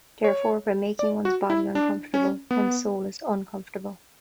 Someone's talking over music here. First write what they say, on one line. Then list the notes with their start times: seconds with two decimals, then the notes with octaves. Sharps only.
Therefore, by making one's body uncomfortable, one's soul is uncomfortable.
0.24 C#5
0.99 D5
1.25 F#4
1.50 E4
1.75 D4
2.14 C#4
2.51 B3